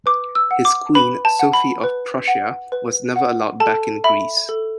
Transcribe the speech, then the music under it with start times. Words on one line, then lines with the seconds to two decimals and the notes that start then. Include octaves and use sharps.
His queen, Sophie of Prussia, was never allowed back in Greece.
0.06 B4 D6
0.35 E6
0.51 F#5
0.65 D6
0.95 B4 B5
1.25 A5
1.39 F#5
1.53 B5
1.84 B4
2.28 F#5
2.72 B4
3.16 F#5
3.60 A4 A5
4.04 E5 B5
4.49 A4